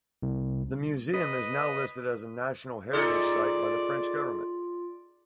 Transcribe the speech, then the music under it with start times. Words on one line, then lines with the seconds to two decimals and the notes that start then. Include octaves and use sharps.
The museum is now listed as a National Heritage site by the French Government.
0.23 C2
1.14 B4 D#5
2.93 D#4 F4 G#4 A4 D5 C6